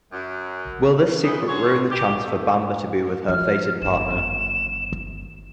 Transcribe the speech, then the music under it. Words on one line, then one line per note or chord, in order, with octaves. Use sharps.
Will this secret ruin the chance for Bamba to be with her fated partner?
F#2
F2 E3 G3 B3 D#4
F#3 G#4 C5 C#5
G4
A3
F3 F6
G1 D#3 E7